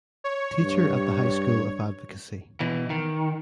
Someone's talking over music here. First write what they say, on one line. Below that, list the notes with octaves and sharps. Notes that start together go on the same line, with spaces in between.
Teacher at the High School of Advocacy.
C#5
G2
B2 E3
D#3